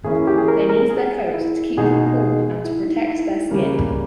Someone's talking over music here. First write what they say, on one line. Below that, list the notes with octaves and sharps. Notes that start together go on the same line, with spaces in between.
They need their coat to keep them cool and to protect their skin.
E3 A#3 C#4 E4 G#4
G4
G#4
A#4
A#4
G#4
E4
B2 G#3 D#4 G#4
G#4
E4
D#4
E4
C#3 G3 A#3 C#4